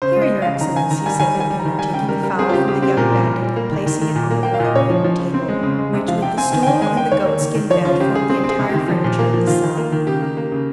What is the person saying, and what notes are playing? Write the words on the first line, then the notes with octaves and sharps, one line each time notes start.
"Here, your excellency," said Peppino, taking the fowl from the young bandit and placing it on the worm-eaten table, which with the stool and the goat-skin bed formed the entire furniture of the cell.
C#3 C5
G#3
D#5
C#3
C#3 F5
D#3 A#5
D#3 G#5
D#3 A#5
G3 G#5
D#3 G#5
G3
G#5
G3
A#5
D#3
G3 G#5
C#3 G5
G3 A#4
G3 A#4
C4 G#4
F4
C#3 G4
C#3 G4
C4 G4
A#2 A#4
G3
A#2
G3
A#3
D#3
D#3
D#3
A#2
A#3
A#3 G5
F5
A#2 D#5
C#3 C#5
F3
F3
C#3
C4
G#3
C#3
G#3
C3
F3 F5
C3 G5
C4 G#5
D#3 G#5
G5
D#3 G#5
G#3 G#5
G#3 G5
D#3 C#5
A#3
D#3
D#3
F3 C#5
C#3 F4
C#3 G4
C#3 G#4
C4 G#4
C4
G#4
C3
D#3 G4
F3
A#2
A#3
F3
D#3 F4
D#3
A#3
D#3
C#3 G4
A#3
A#3
C#3